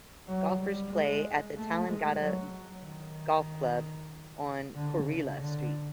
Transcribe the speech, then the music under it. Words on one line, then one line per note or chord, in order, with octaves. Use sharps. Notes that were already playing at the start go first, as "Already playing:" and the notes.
Golfers play at the Tallangatta Golf Club on Coorilla Street.
F#3
G3
G#3
A3
G#3
F#3
D#3
D3
C#3
D3